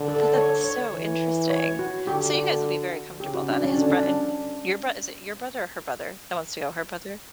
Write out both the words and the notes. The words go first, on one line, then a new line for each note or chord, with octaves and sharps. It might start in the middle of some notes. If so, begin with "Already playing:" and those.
But that's so interesting. So, you guys will be very comfortable, but and his brot and your brot Is it your brother or her brother, that wants to go? Her brother?
Already playing: D3
A4
A4
C#5
C#5
C#5
C#5
E3
C#5
F#4
D3 G4
F#4
C#3 G4
F#4
D4
C#4
D3 D4
D4